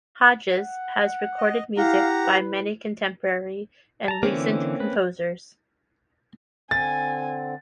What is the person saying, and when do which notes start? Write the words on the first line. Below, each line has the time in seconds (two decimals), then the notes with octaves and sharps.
Hodges has recorded music by many contemporary and recent composers.
0.50 F#5
1.38 D#5
1.77 E4 G4 F5 F#5 A#5
2.25 B4
4.08 A5 A#5
4.23 D3 E3 A#3 C4 C#4
4.80 B4
6.71 D3 C4 G#5 A6